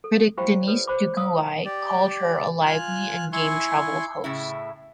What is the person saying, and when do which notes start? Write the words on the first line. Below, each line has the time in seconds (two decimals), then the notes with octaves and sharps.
Critic Denise Duguay called her a "lively and game travel host".
0.04 A4
0.37 E4 G4 C5 F5 G5 B5
0.67 A4 B4 C#5 D5
0.87 C5 B5 D6
1.17 F5 D#6 E6
1.65 G4 D5
2.66 F4 G#5 F6 F#6
3.33 E4 G#5 C6 C#6
4.24 A2 C#3 E4